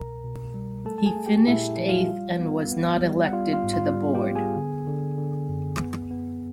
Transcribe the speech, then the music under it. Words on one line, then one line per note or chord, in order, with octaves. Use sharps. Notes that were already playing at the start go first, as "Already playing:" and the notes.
He finished eighth, and was not elected to the board.
Already playing: C2 B2 A#4 A#5
B2
G3
A3 A4 A5
A5
G#4 G#5
A3
G4 G5
A#2 E4 E5
F3
F4 F5
G3
B3
B3
G3
F#5
G3 F4 F5
F4 F5
G#2
F4 F5
G3
G4 G5
B3
G#4 G#5
D3
D3
D3
F#2
B3
B3